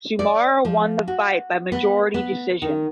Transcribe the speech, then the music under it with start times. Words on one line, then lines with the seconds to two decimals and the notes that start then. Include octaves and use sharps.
Tsumura won the fight by majority decision.
0.19 D5
0.65 F3
1.08 F#4
1.72 B3
2.14 B3
2.62 D#3